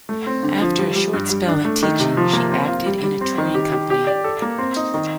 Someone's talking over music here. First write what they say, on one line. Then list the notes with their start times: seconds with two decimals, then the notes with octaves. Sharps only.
After a short spell in teaching she acted in a touring company.
0.09 A3
0.27 C4
0.43 D3
0.61 F3
0.79 G3
0.96 G3
1.13 G2
1.30 G3
1.48 D4
1.65 A3
1.83 D#3
2.00 C3
2.17 F3
2.33 A#3
2.52 C4
2.68 F4
2.86 G3
3.04 G3
3.21 C4
3.38 D#3
3.54 G4
3.72 G4
3.90 G4
4.07 D5
4.24 A4
4.42 A#3
4.58 C4
4.76 D#4
4.94 D#3